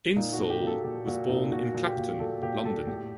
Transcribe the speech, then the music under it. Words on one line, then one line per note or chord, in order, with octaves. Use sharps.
Insole was born in Clapton, London.
A#2 D#4
F#4
A#2
G4
A#2 A4
A#2 G4
A#2 F#4
A#2 D#4
A#2 F#4
A#2
G4
A#2
A#2 A4
A#2 G4
A#2 A4
A2 G4